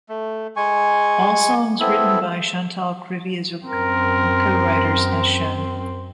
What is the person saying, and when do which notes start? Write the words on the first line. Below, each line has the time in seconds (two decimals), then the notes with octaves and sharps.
All songs written by Chantal Kreviazuk, with co-writers as shown.
0.09 A3
0.56 G#3 G#5 C#6
1.80 B3 C4 E4 A4
3.65 F#2 C4 A#4